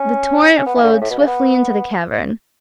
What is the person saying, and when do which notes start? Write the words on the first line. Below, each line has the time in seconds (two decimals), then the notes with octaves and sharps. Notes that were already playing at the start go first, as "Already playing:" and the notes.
The torrent flowed swiftly into the cavern.
Already playing: C#4
0.58 C#4
0.66 B3
0.75 E3
0.84 D3
0.92 C#3
1.02 A2
1.10 B2
1.19 C#3
1.27 B3